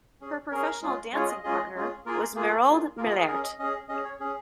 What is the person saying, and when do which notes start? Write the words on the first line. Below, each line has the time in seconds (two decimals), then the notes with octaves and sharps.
Her professional dancing partner was Mairold Millert.
0.21 C#4 G#4
0.51 C#4 G#4 A#4
0.82 G#3 C#4 F4 G#4
1.13 G#3 C#4 F4 G#4 C#5
1.29 D#5
1.43 G#3 C#4 F4 G#4 D#5
1.74 G#3 C#4 F4 G#4
2.06 A#3 F4 G#4 A#4
2.35 A#3 F4 G#4
2.66 A#3 F4 G#4
2.97 A#3 F4 G#4 A#4
3.08 A#4
3.18 G#4
3.28 C#4 G#4 A#4
3.43 D#5
3.59 C#4 G#4 D#5
3.89 C#4 G#4 D#5
4.05 C#5
4.20 C#4 G#4